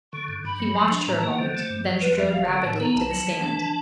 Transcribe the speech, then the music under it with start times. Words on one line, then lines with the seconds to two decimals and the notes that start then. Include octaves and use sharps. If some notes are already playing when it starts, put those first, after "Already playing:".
He watched her a moment, then strode rapidly to the stand.
0.12 D3 C#6
0.28 G2
0.44 G2 B5
0.60 F#3
0.76 F3
0.91 D4
1.07 A2 A#5
1.17 A5
1.23 A#3
1.29 F#5
1.38 D3 C5
1.55 A3
1.70 G2
1.86 F3
2.01 F2 B4
2.17 F3 E5
2.32 G1 F5
2.48 D3 F#5
2.64 A2 A5
2.80 B3 A#5
2.95 B1 A5
3.11 F#3
3.27 E3
3.42 D4